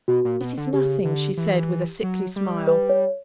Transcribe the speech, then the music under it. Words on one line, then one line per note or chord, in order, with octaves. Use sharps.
'It is nothing,' she said, with a sickly smile.
B2 F#4
A#2
B2
D3
C#3 G4
D3
E3
F#3
G3
B4
C#5